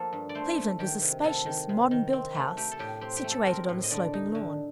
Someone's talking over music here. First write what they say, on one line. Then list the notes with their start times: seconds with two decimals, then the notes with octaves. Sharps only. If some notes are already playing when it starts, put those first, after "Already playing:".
Cleveland was a spacious, modern-built house, situated on a sloping lawn.
Already playing: F3 A#3 A4
0.13 G2
0.29 D5
0.35 A3 C5
0.58 A3
0.79 D#3 G4
1.02 C3
1.24 C3 A4
1.46 D#3
1.69 C3
1.91 D#3
2.13 C4
2.35 A3
2.57 A3 G4
2.72 A4
2.79 A2 G4
3.01 C4 G4
3.17 G4
3.24 A3
3.31 A4
3.46 C4 A#4
3.69 A2
3.84 D#5
3.90 D3 D5
4.13 D#4
4.35 D3